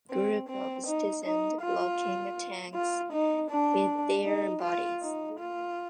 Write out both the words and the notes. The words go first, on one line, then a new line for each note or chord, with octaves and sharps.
Groups of citizens blocking tanks with their bodies.
C4
C4
D#4
D#4
F4
F4
D#4
D4
D#4
F4
D#4
F4